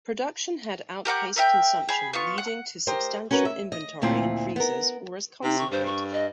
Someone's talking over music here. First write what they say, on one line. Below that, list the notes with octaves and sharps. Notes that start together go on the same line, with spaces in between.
Production had outpaced consumption leading to substantial inventory in freezers or as concentrate.
G4 A#4 F#5 D6
A#4 E5 G5
G#4 B5
B3 F4 C#6
F#5
G4 A#4 C5 D#5
C#4 F#4 A#4 B4
E5
D#5
D2 A#2 C4 E4 F4
B3 A#4
C3 D#4
C#6
G2 C5
C#6
D#5